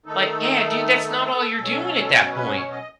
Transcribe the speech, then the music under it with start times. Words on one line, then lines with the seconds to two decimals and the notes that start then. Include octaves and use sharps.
Like, "Yeah dude, that's not all you're doing at that point."
0.06 D#3 A3 D#4 A4
1.58 B2 F#3 C#4
2.33 B4
2.52 C#5
2.71 D#5